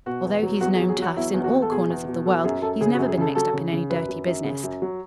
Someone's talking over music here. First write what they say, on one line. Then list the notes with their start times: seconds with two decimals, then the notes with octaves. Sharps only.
Although he's known toughs in all corners of the world, he's never been mixed up in any dirty business.
0.06 B2 F#4
0.25 E2
0.43 F#3
0.61 E2 F#4
0.75 G#4
0.80 F#3
0.89 G#4
0.99 F#3 F#4
1.16 E2 E4
1.34 E2
1.44 F#4
1.53 E2
1.62 A4
1.71 B2 G#4
1.90 E2
2.08 B2
2.26 F#3 A4
2.44 F#2 G#4
2.62 F#2 A4
2.81 C#3 G#4
2.94 F#4
2.99 F#2
3.08 G#4
3.17 C#3 A4
3.35 F#3 A4
3.53 C#3
3.72 C#3
3.90 F#2 B4
4.09 F#2
4.26 F#2
4.44 C#3
4.64 F#2
4.82 F#3